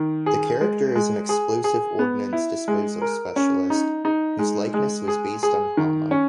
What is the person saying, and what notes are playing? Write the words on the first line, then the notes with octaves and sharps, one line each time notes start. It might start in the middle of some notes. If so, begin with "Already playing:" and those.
The character is an explosive ordnance disposal specialist, whose likeness was based on Hama.
Already playing: D#3
G#4
G#3
G#3
G#4
G#4
B3
E4
G#3
A#4
C#4
D#4
D#4
G#3
G#3
G#4
G#4
D#3
C#4